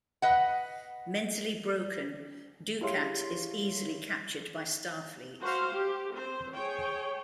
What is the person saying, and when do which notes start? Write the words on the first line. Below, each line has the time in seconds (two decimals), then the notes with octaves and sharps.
Mentally broken, Dukat is easily captured by Starfleet.
0.22 B4 D#5 F#5
2.81 E4 G4 G#4 C#5 F5 C6
5.41 F#4 C5 F5
5.74 G4
6.14 C4 C5
6.54 G#4 C#5 G5